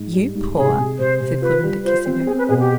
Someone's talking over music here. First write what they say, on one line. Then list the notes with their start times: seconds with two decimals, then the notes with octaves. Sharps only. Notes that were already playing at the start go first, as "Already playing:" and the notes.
"You poor!" said Clorinda, kissing her.
Already playing: G#2
0.13 G3
0.35 G#2
0.56 C3 G#4
0.78 C3
0.99 C3 C5
1.20 C3
1.41 F4 B4
1.63 G3
1.85 F4 C5
2.06 C4
2.27 C4 G#4
2.38 B4
2.49 B2 G#4
2.60 G4